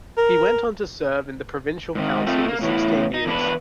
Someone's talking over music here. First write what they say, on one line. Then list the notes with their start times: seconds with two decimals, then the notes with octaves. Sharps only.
He went on to serve in the provincial council for sixteen years.
0.17 A#4
1.95 G#2 D#3
2.26 A3 C4 F4 A4 D#5
2.48 A#3
2.61 A2 E3 B3
3.14 D#4
3.26 E2 D4 E4 B4